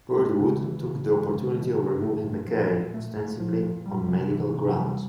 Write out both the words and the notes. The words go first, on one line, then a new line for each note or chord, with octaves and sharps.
Birdwood took the opportunity of removing McCay, ostensibly on medical grounds.
G#3
C#3
E3
C#3
G#3
C#3
E3
C#3
A3
A#2
F3
A#2
A3
A#2
F3
A#2
G3
C3
E3
C3
G3